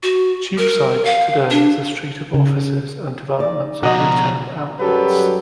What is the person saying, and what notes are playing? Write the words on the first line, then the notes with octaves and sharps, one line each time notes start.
Cheapside today is a street of offices and developments of retail outlets.
F#4
A#4
F5
D4
C#3
D#4 D5
B2 F3 F#4 D#5 A#5
F#2 F#3 G3 G4 A4 B4